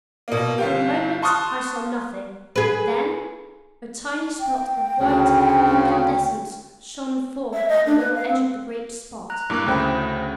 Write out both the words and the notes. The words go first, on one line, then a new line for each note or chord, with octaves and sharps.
For a moment I saw nothing--then a tiny spot of white incandescence shone forth at the lower edge of the great spot.
B2 A#3
G1 F4 G4
A5 C6 C#6 D#6 F6 F#6
G#4 B4
G5
D2 C#3
E5
D#5
D4
B4
F5
C4
A#5 F#6
G2 A#3 E4 D6 F#6
D2 C#3 A3 C5 G5 B5